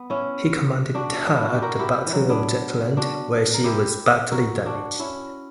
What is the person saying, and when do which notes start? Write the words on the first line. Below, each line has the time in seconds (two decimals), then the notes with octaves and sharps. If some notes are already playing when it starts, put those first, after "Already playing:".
He commanded her at the Battle of Jutland, where she was badly damaged.
Already playing: B3
0.10 C#4 E4
0.95 D4 F#4
1.27 D4
1.36 E4
1.44 F#4
1.53 G4
1.62 F#4 A#4
1.79 E4 G4
2.07 E3
2.13 F#3
2.29 B3 D4
2.97 D4 F#4
3.54 A#4
3.64 E4 G4
4.31 F#4 A#4
4.66 D4 F#4
4.99 C#4 E4